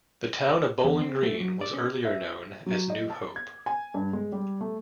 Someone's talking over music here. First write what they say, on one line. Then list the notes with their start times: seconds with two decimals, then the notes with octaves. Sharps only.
The town of Bowling Green was earlier known as New Hope.
0.84 E2
1.01 C4
1.23 A3
1.40 F#3
1.61 D5
1.73 C#4
2.05 E5
2.66 F#3
2.90 D#5
3.10 A5
3.36 G#6
3.66 G#5
3.94 G2
4.13 G#3
4.32 G3
4.61 A3